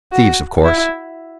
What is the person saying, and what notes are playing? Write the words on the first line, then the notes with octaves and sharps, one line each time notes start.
Thieves, of course.
F#4
E4